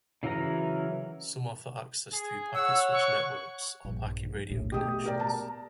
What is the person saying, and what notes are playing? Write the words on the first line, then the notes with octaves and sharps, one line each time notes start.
Some offer access through packet switched networks or packet radio connections.
C#3 E3 F#3 A#4 A#5
G#4
C#5 F#5 E6
C#6
A#1 G2
A#1 D#2 A2
B2 E3 A3 G4 D#6
G4 A#4 D5
A5 A#5